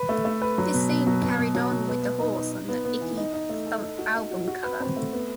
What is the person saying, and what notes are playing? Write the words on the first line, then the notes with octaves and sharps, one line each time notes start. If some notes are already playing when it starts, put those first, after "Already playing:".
This theme carried on with the horse on the Icky Thump album cover.
Already playing: B4
A3
A3
B4
F#3
B2
B2
F#3
B2
B2
F#3
B2
B3
B3
D#4
D#4
D#4
B3
B3
E3
D#4
D#4
A3
A4
D#4
F#4
D#4
F#4
F#4
B4
C4
A3
B3